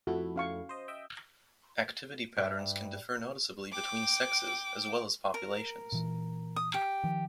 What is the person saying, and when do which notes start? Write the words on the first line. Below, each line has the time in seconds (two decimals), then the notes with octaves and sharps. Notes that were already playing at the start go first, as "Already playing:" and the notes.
Activity patterns can differ noticeably between sexes as well as populations.
0.07 F2 A3 E4 F#4
0.36 C#4 F5 C#6
0.69 C5 D#5
0.88 D#5 E5 G5
2.37 G2 D5 E5
3.72 G5 D6
5.34 A#4
5.92 A#2 E3
6.56 D#6
6.74 G4
7.04 D#3 F3